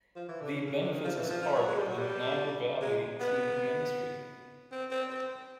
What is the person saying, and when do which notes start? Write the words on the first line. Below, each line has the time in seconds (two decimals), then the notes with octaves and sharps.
The benefice is part of the Nadder Valley team ministry.
0.16 F3
0.29 E3
0.41 D3
0.53 C#3
0.66 C#3
0.79 D3
0.91 D#3
1.04 F3
1.16 E3
1.29 F3
1.42 F3
1.55 F#3
1.68 G#3
1.78 G3
1.88 F#3
1.99 G3
2.82 G#3
3.20 B3
4.72 C4
4.91 C4
5.09 C4